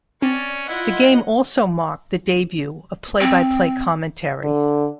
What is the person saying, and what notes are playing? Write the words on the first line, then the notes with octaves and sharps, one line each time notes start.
The game also marked the debut of play-by-play commentary.
C4 C#4 D5
E4 F4 D#5 F#5
C4
D3